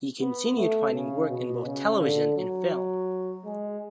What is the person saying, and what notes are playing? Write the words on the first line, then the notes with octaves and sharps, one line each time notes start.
He continued finding work in both television and film.
B3
A3
C#3
B2
C#3
D3
F#3
G#3